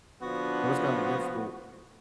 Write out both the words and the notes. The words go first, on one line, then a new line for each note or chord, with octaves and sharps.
so it's, kinda, difficult,
A#2 D3 F3 B3 D4 F#4